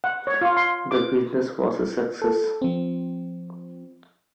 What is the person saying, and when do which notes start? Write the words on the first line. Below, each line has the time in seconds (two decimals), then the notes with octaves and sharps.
The business was a success.
0.04 F#5
0.27 C#5
0.41 F4
0.57 C6
0.91 D6
2.22 A4
2.62 F3 C4